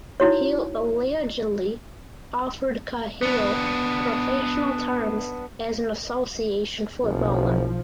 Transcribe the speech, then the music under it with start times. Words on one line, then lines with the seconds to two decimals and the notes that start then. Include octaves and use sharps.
Hill allegedly offered Cahill professional terms as an association footballer.
0.20 D#4 E4 F#4 C#5
3.23 B3 D4
7.03 F#1 B1 F3